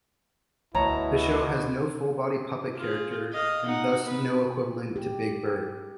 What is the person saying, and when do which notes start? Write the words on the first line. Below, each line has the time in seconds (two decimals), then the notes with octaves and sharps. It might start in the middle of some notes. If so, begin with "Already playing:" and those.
The show has no full-body puppet character and, thus, no equivalent to Big Bird.
0.75 D2 B2 E4 C#5 A5 A#5
2.76 F4 G#4
3.33 D#5 F5
3.66 D#4 F#5
4.05 B3 B4
4.96 G4